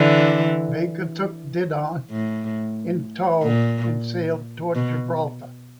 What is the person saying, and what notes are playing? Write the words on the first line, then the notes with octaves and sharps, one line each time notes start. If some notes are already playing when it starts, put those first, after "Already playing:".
Baker took "Didon" in tow and sailed towards Gibraltar.
Already playing: D3 E3
A2
A#2
B2